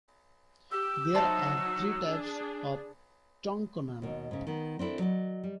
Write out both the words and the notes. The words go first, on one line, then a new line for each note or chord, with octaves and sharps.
There are three types of "tongkonan".
G4 E6
F#3 D#4 C5 E5 A5
D4 G#4
D#2 B2
G#2 C#3
D#3 B3
C4 D4 E4 A4
F#3 D5 D#5
G3